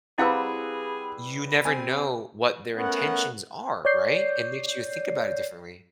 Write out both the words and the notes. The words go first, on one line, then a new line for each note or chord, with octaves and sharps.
you never know what their intentions are, right? It makes you think about it differently.
G3 C4 E4 G#4 B4 F5 F#5 E6
C4 G#5
A3 B3 C#4 A#4 F#5
C#5 D5 G6 C7